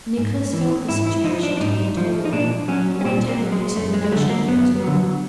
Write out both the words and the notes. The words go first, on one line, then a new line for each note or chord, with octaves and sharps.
Nicholas felt the situation to be intolerable and went to have an explanation with his mother.
G#2
E3
G#2 E4
E4
F3 D#4
D4
D4
G#2 D#4
F3
D#4
A#2 D4
F#3 C#4
C#4
A#2 C4
A#3
F#3
G#3
F#2 A3
G#3
G#3
D3 F#3 A3
A#3
F#2 B3
D3 F#3